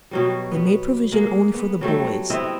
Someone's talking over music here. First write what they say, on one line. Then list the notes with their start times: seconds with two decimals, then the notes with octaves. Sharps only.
They made provision only for the boys.
0.11 B2 F#3 G3
0.51 B3
1.12 G#3 A#3
1.54 B3
1.81 F#3 G3 A3
2.30 B3 C4 E4 D#5